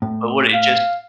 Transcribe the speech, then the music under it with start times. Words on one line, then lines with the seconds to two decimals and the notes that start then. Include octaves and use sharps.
but would it just
0.02 A2
0.53 F5